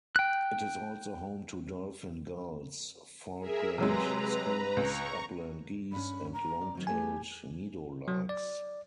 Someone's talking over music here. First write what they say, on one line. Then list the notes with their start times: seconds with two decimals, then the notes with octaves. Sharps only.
It is also home to dolphin gulls, Falkland skuas, upland geese and long-tailed meadowlarks.
0.16 G5 F#6
3.40 G#4 A#4 E5
3.78 C3 F#3 G#3 B4 A#5
4.77 C#2 A#5 C#6
5.92 G2 C#4 B5
6.33 A#5
6.61 D5
6.75 D#3 F#3 C4
6.87 G3 A3 B3 G4 G#5
8.08 F#3
8.29 D5